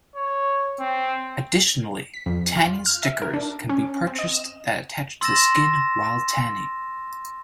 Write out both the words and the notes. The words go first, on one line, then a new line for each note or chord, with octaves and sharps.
Additionally, "tanning stickers" can be purchased that attach to the skin while tanning.
C#5
C4
B6
F2
F4
F6
E5
A#4
D4
C#4
C4
D#5
E7
C6 E6 A6 A#6 E7